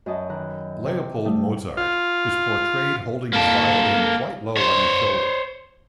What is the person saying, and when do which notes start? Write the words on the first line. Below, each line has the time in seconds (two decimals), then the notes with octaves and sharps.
Leopold Mozart is portrayed holding his violin quite low on his shoulder.
0.06 F#2 F#3 D#5 A5 B5
0.29 D#3 B4 A#5 F#6
0.85 C3
1.25 G3 A3 D#6
1.77 F4
3.33 A#3 A4
4.57 C5 C#5